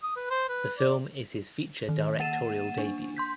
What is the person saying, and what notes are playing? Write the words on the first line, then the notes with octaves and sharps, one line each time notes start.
The film is his feature directorial debut.
D#6
B4
C5
B4
D5
D#3
A#3 F#5 A6 D#7 E7
D4
C6 G6 B6